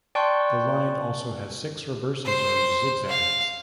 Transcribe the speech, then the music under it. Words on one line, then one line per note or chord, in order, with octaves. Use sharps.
The line also has six reverses or zig-zags.
D5 G5 A5 C6 C#6 F#6
C5
F5